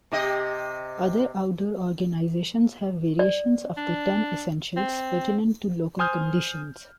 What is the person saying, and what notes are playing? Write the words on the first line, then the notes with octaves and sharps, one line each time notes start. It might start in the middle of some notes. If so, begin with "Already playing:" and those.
Other outdoor organizations have variations of the "Ten Essentials" pertinent to local conditions.
C3 G4 D#5
D5
D4
C4
C5 G#5 D#6 F6 G6